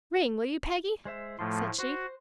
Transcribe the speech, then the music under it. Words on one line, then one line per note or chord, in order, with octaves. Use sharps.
"Ring, will you, Peggy?" said she.
G#3 C5 E5
A2 F3 A3 F4 C6
F#4 C5